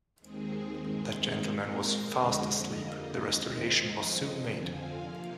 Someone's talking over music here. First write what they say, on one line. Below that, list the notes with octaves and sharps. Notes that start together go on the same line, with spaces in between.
That gentleman was fast asleep; the restoration was soon made.
D#2 D#3 G#3 C4 G#4
G2 D#3 G#3 C4
A#2 G#3 C4 A#4
C5
F2 D3 G#3 C4 D#5
F2 D3 G3 A#3
D#2 D#3 G#3 C4 D#5
G2 F3 C4
F2 D3 F3 C4 G#5
F5
C3 F3 A#3